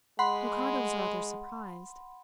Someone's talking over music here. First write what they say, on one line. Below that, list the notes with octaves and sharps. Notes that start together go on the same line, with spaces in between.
Ricardo was rather surprised.
G#3 F#5 B5 C6